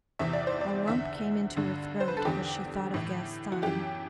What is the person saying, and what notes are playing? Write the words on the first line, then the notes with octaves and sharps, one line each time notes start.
A lump came into her throat as she thought of Gaston.
E2 C3 E3 E5
D5
C5
D5
E2 D3 E5
G2 D3
C5
B4
A4
E2 D3 G4
A2 E3
F#4
F#2 E3 G4